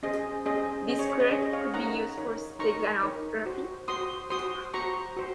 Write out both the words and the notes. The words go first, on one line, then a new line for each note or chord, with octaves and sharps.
This quirk could be used for steganography.
C#4 G#4 C5 D#5
C#4 G#4 C5 D#5
C#4 G#4 C5 D#5
C#5
C#5
D#5
C#4 G#4 C5 C#5
D#5
C#5 F5
D#4 A#4 C#5 F#5 A#5
D#4 A#4 C#5
D#4 A#4 C#5 A#5 C#6
D#4 A#4 C#5
F#4 C5
F#4 C5 C6 D#6
F#4 C5 C6 D#6
F#4 C5 A#5 C#6
F#4 C5